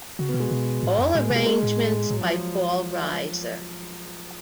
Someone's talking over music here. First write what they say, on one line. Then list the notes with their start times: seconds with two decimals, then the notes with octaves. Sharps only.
All arrangements by Paul Riser.
0.19 C#3 F#4
0.29 B3
0.34 B2
0.40 G#3
0.51 B2
0.83 A2
0.99 F2
1.15 A2 G#3
1.25 B3
1.30 B2
1.36 G#3
1.46 G#3
1.63 A2
2.10 A2 F#3
2.21 F3